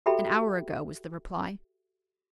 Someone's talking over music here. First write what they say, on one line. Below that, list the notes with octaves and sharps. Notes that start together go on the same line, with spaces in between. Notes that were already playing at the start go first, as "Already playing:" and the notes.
"An hour ago," was the reply.
F#4 G4 A4 E5 G5 B5